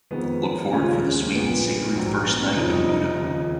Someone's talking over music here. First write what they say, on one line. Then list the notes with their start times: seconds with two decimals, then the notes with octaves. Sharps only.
Look forward for the sweet and savory first night in Udo!
0.11 F2 D#3 G#3 B3
0.73 D#2 C#3 F3 G#3 C#4
0.83 F4
0.93 C#4
1.04 C#4
1.23 A#3
1.35 A#1 A#2 G#3 B3
1.95 A#1 G#2 F#3
2.27 B3
2.42 C#4
2.57 F1 F2 F3 D#4
2.73 D#4
2.89 D#4
3.19 D#2 C#3 F3